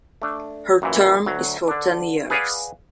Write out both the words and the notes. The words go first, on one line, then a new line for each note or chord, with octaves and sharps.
Her term is for ten years.
A3 D4
F#2 A#2 E3
D2 F#3
D3 D4
G#4 B4 D5 F5 F#5 G#5